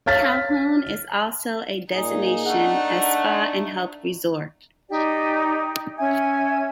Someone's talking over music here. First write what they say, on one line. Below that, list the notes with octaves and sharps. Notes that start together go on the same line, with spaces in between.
Cahul is also a destination as spa and health resort.
C#5 F5 F6 A6 B6
A#2 D#4 G#4
A3 D4 F#5
D#4 G4 D5
C#4 E5 G#5 G#6